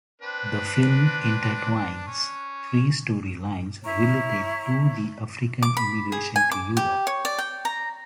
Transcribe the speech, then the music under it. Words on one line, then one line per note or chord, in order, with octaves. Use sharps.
The film intertwines three storylines related to the African immigration to Europe.
C4 D4 B4
C#4
E4 C#5 A#5 C#6
D6
B5
G#4
G#5
D6
G4
C#5
D5
G5
A#5